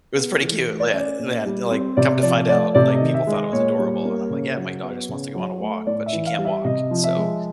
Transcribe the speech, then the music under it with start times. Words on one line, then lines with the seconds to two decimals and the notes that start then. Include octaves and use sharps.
It was pretty cute, le and la and then, like, come to find out, like, people thought it was adorable, and I'm like, "Yeah, my dog just wants to go on a walk, but she can't walk, so
0.15 B3
0.42 E3
0.68 A3
0.80 D5
0.93 C#4
1.00 D5
1.19 A#2
1.46 G3
1.71 C4
1.97 C3 D5
2.23 F3 D5
2.49 A3 D5
2.75 C3 D5
2.95 D#5
3.01 D#3
3.14 E5
3.27 G#3
3.34 D#5
3.53 A#2 C#5
3.79 G3
4.05 A#3
4.30 C#3
4.57 F#3
4.83 B3
5.09 C#3
5.35 F#3
5.60 A3
5.87 A2 D5
6.06 E5
6.13 E3
6.26 F5
6.38 G3
6.45 E5
6.64 C3 D#5
6.91 F3
7.04 E5
7.16 G#3